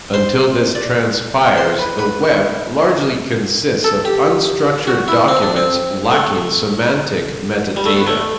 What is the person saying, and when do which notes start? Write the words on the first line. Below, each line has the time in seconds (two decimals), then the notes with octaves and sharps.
Until this transpires, the web largely consists of unstructured documents lacking semantic metadata.
0.14 C5
0.75 D5
1.57 C5
1.79 B4
1.99 B4
3.84 A4
4.05 G4
4.87 F#4
5.08 E4
5.28 C4
5.42 D4
5.56 C4
6.11 A3
7.76 G3
7.86 A3
7.97 B3
8.07 A3